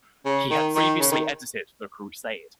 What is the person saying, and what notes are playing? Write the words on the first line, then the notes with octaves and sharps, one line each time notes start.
He had previously edited "The Crusade".
C#3
D#3
D#3
C#3
D#3